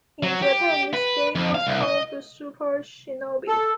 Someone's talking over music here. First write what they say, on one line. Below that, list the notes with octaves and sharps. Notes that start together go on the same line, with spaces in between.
In Japan this game was called "The Super Shinobi".
F#3
G4
B4
F2
F5
C2
D#5
A4